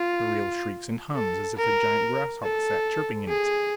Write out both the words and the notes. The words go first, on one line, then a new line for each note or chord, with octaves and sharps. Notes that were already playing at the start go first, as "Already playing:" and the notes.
The reel shrieks and hums as if a giant grasshopper sat chirping in it.
Already playing: F4
A4
A#4
A4
G#4